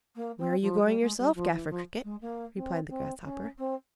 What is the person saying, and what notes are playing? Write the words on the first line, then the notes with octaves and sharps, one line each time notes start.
'Where are you going yourself, Gaffer Cricket?' replied the Grasshopper.
A#3
C4
F3
G3
G#3
G3
F3
E3
F3
G#3
A#3
C4
C4
C#4
C4